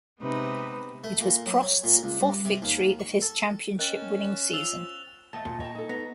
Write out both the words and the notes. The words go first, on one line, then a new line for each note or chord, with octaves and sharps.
It was Prost's fourth victory of his championship-winning season.
C3 G#3 B3 D#4 B4
A3
A#2
F#3
C#5
A#2
C#2
G2
C3
D#2
C#6
A4
C#4 A#4 D#5 G5 F#6 A6 E7
F4 C5 E6 F7 G7
D#2 A3 D#5 A5
A#2
C#5 D#5 G5 A5 A#5
D#4 A4
B3 A#5